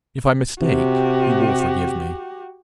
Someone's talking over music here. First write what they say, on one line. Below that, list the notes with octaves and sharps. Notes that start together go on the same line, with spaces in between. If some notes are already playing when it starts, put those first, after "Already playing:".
If I mistake, he will forgive me.
C3 F#4 G4